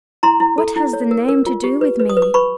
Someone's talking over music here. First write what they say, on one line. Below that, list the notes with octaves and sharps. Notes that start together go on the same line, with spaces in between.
What has the name to do with me?
E4 A#5 C6
E4
A4
E4
C#5
A#4
A#4
F4
G4
B4
B4
D#6
B4
D6
B4 B5 C#6